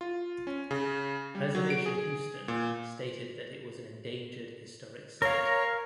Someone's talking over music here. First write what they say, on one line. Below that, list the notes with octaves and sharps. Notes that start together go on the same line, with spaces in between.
Preservation Houston stated that it was an endangered historic site.
F4
C#4
C#3
G3
F#3
D7
G#4
A#2
A#4 C#5 F5